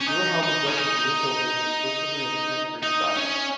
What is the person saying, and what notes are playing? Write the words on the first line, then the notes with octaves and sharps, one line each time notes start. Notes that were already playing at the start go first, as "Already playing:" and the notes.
Wilhelmy built his new buildings exclusively in Schnitger's style.
C#4
D#4
D#4
C#4
D#4
D#4
C#4